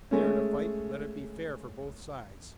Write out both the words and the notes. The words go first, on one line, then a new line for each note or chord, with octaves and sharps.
If they are to fight, let it be fair for both sides.
G#3 A3 C#4